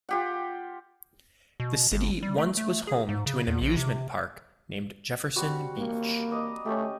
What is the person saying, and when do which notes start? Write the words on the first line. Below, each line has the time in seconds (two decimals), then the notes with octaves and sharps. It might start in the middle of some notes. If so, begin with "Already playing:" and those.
The city once was home to an amusement park named Jefferson Beach.
0.09 F4 G4 F#5
1.60 B2
1.92 G1
2.23 G3
2.38 A3
2.57 A3
2.87 G#4
3.09 G#2
3.26 C#3
3.47 E2
3.61 A#1
3.77 C3
5.36 G3 C4 F#4
5.78 A#3
6.31 D5 D#5 A#5
6.66 A3 C#4 G4